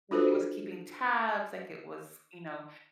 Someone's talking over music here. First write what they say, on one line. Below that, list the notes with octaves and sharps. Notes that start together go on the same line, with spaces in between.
like it was keeping tabs, like it was you know,
D4 F4 F#4 A4 B4 C5